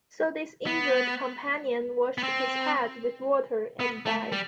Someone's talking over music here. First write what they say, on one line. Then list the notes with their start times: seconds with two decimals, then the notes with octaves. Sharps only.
So this injured companion washed his head with water and died.
0.67 B3
2.18 B3
2.23 C4
3.80 B3
4.06 A3
4.32 G3